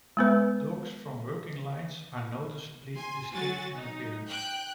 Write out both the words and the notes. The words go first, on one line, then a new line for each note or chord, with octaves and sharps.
Dogs from working lines are noticeably distinct in appearance.
G#3 B3 B4
G#5 C6
F#3 F#4 G#5 A6
D#4
G5 F#6 G6